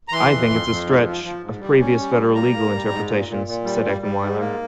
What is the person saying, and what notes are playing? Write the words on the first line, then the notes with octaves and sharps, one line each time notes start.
"I think it's a stretch" of previous federal legal interpretations, said Eckenwiler.
A#5
E3 C6
F2
F2
F2
G#2
F3
F3
G#2
G3
C#4
G3
G3
A#3 A#5
A#3
G3
G#2
A#2
A#2
A#2
G3
G3
G3
G#2
A#3